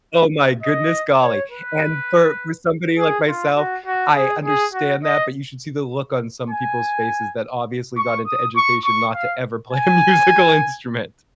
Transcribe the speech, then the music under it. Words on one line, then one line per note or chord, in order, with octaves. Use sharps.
Oh my goodness, golly. And for for somebody like myself, I understand that, but you should see the look on some people's faces that obviously got into education not to ever play a musical instrument.
D#5
C#5
B4
G#4
F4
F#4
F#4
G#4
G#4
F#4
D#5
G#5
C#6
D#6
C#6
C#6
F5
G#5